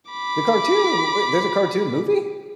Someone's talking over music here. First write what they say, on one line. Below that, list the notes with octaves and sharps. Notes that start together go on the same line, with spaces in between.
the cartoon? Wait, there's a cartoon movie?
B5 D6